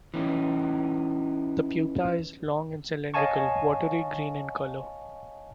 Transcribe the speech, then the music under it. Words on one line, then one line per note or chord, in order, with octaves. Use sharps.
The pupa is long and cylindrical, watery green in colour.
E3 C#4 D#4
C#5 D#5 F5 G#5 A5 C#6